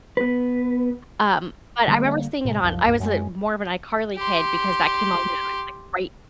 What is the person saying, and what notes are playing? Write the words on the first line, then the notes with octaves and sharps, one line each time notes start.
um, but I remember seeing it on I was, uh, more of an iCarly kid because that came out when I was, like, right
B3 B4
D3 G3 A#3
A2 C3 G#3
C2 F#2 F3
C#2 G2 A#3
F#2 G#3
G4 C6